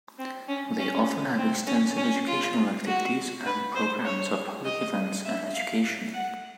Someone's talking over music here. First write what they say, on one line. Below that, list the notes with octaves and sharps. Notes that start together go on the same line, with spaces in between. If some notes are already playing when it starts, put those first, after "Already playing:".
They often have extensive educational activities, and programmes of public events and education.
C4
C#4
C#4
C4
C#4
C#4
F4
F#4
B4
C5
C#5
D#5
E5
F5
F#5